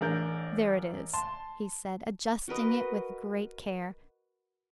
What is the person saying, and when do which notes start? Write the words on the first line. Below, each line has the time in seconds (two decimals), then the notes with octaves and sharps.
"There it is!" he said, adjusting it with great care.
0.01 A1 D4 A#4 G6
1.14 A5 C6
2.48 F#4 A#4 B4 D#5